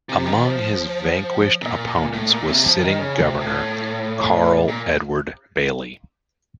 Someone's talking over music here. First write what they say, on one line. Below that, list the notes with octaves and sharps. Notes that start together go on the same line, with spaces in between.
Among his vanquished opponents was sitting Governor Carl Edward Bailey.
C3
D#3
F3
A#2
A2
A#2
C3
F3
D#3
C#3
C3
A2
A#2